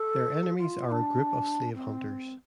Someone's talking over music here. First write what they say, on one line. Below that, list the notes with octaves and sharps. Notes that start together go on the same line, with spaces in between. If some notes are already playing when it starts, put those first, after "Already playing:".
Their enemies are a group of slave hunters.
Already playing: A4
F4
F4
D4
C4